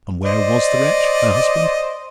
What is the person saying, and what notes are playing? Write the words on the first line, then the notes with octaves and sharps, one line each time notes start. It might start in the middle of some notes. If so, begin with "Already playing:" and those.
And where was the wretch, her husband?
C5 D5 D#5